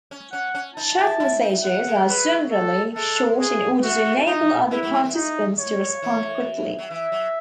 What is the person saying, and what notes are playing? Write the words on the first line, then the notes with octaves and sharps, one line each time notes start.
Chat messages are generally short in order to enable other participants to respond quickly.
C#4
C#4 F#5
C#4
D#4 A5
E4
E4
D#4
B3 F#5
G#3
F#3 B4
A4
G#3 A4
G#4
A3 F#4
A3
B3 D#4
G#3 E4
F#3
F#3
E3
D#4
C#5
E3
F#3
E3 E5
F#3